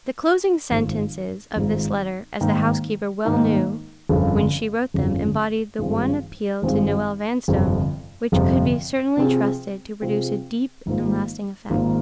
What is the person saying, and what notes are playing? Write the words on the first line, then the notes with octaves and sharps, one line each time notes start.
The closing sentences of this letter--as the housekeeper well knew when she wrote them--embodied the one appeal to Noel Vanstone which could be certainly trusted to produce a deep and lasting effect.
G#1 G#2 F3
G#1 G#2 F3
G#2 D#3 A#3 D#4
G#2 D#3 A#3 D#4
G1 F2 C#3 F3
G1 F2 C#3 F3
G#1 G2 F3 G#3 C4
G#1 G2 F3 G#3 C4
G1 F2 C3 F3
G1 F2 C3 F3
C3 F3 C4 F4 G#4
C3 F3 C4 F4 G#4
G#1 G#2 F3 A#3 F4
G#1 G#2 F3 A#3 F4